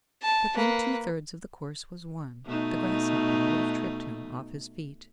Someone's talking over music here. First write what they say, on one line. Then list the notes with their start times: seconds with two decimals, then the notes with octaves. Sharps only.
But when two thirds of the course was won, the grasshopper would have tripped him off his feet.
0.22 A5
0.56 A#3 B4
2.46 B2 A3 D#4